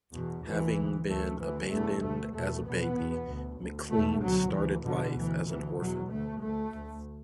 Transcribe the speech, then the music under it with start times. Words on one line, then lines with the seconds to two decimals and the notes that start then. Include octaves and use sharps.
Having been abandoned as a baby, McClean started life as an orphan.
0.14 E2 B2
0.44 D2 E3
0.77 D2
1.08 D2 A3
1.39 D2 E3
1.70 E2 B2 A3
2.02 D2 A3
2.33 E2 B2 A3
2.64 E2 B2 B3
2.96 E2 B2
3.27 D2
3.59 D2
3.91 E2 B2 A3
4.21 D2 F#3
4.53 D2 E3
4.85 E2 B2 D3
5.16 D2 E3
5.47 D2 E3
5.79 E2 B2 F#3
6.10 D2 A3
6.42 D2 A3
6.73 D2